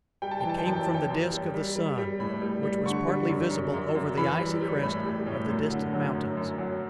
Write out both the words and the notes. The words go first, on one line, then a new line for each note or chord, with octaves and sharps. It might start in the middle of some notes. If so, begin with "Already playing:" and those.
It came from the disk of the sun, which was partly visible over the icy crest of the distant mountains.
G3 G5
A5
E3 G5
A5
G5
F#2 A5
G5
E3 A5
G5
F#2
G3
G3
G3
G3
A2 B5
G3
G3
D3 C#6
G3
F#2
F#2
F#2
F#2
E3 B5
G3
G3
A2 B5
G3
A2
F#2
D3
F#3
F#2
F#2
F#3